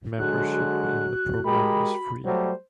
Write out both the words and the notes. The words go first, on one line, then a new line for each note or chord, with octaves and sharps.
Membership in the program is free.
D3 F#3 G#3 F#4 F#6
G#3 G4 A#4 B5
F#3 G3 A3 C5